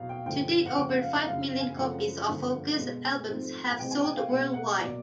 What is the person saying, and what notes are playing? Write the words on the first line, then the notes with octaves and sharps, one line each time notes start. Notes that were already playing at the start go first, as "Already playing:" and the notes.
To date over five million copies of Focus albums have sold worldwide.
Already playing: E2 B2 F#3 B3 F5
G5
G2 D3 F3 G5
F#5
F2 C#3 F3 A#3 G5
F#5
F5
E5
F#2 C#3 E3 F5
G#5
F#2 C#3 F3 A3 C4 F#5
G2 D3 F3 A#3
B2 G#3 B3
G#2 F3 A3 C4
G#5
C3 E3 G#3 C4 G5
G#5
G5
F5
B2 G#3 B3 F#5
F#5
B2 F#3 A#3 D5